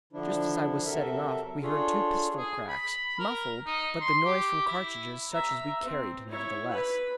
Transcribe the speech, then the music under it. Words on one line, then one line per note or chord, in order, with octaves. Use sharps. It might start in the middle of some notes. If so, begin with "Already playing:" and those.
Just as I was setting off we heard two pistol cracks, muffled, but the noise from cartridges such as we carried, nevertheless.
D3 F3 D4 E4
C3 F#3 A4 A#4 E5
D4 F4 G#4 A4 C#5
G#4
B5
A#4
D#4
C6
G4
E4
E5 A#5
C4
E4 C#5
B4 B5